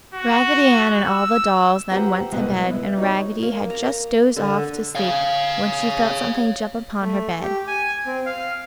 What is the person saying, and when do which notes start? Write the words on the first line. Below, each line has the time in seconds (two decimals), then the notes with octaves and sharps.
Raggedy Ann and all the dolls then went to bed and Raggedy had just dozed off to sleep when she felt something jump upon her bed.
0.14 F#4
1.06 E6
1.92 G4 B4 C5 F#5 A#5
2.32 C2 G#2 B2 B4
2.69 B3 E4
2.98 D#4 F#4 C#5
3.43 A#3
3.70 A#5
4.36 D3
4.95 C#5 F5
7.01 A3
7.42 G4
7.68 G#5
8.06 C4
8.26 F5